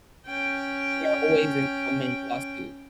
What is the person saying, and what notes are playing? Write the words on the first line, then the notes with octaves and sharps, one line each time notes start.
they are always in so many lawsuits.
C#4 G5